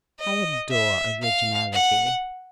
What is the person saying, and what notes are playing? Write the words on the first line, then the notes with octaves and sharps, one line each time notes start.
I adore originality.
D#5
E5
F5
F#5